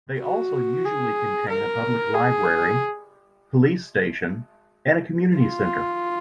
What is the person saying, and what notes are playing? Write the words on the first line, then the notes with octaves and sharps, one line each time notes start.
They also usually contain a public library, police station and a community centre.
F#4
G#4
A#4
G#4
F4